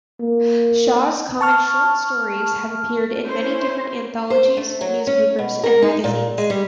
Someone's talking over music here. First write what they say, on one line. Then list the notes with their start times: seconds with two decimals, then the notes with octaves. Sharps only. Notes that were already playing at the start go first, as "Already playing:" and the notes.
Shaw's comic short stories have appeared in many different anthologies, newspapers and magazines.
0.20 A#3
1.41 A5 C#6 F6
3.25 C#4 E4 C5
4.30 C5
4.57 A3
4.81 F#3
5.07 C#4
5.39 B2
5.64 A#4
5.82 D#4
6.04 A#2
6.38 G#3
6.50 G3